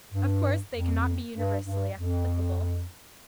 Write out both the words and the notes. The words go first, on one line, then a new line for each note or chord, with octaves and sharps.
Of course, they cannot be universally applicable.
G2
F2
G2
G2
F2